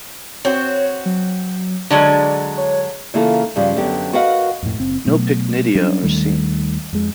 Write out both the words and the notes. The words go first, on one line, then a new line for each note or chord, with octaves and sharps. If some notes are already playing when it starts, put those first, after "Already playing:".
No pycnidia are seen.
C4 F#4 C#5
F#3
D3 F#3 G#3 D5
C#5
C#3 E3 A#3 E4 F4 A4
G2 C#3 F3 G3
F#2 D3 B3 G4
F#4 A#4 B4 D#5 F5 F#5
F2 A2
F#1 C4
B2 F#3 A3 B3
F#3 G3 C#4 D4
D#2 D#3 G3 A3
F2 G#3